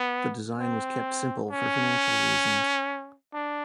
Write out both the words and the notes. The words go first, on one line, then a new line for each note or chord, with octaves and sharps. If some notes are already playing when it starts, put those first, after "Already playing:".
The design was kept simple for financial reasons.
Already playing: B3
C4
C#4
D4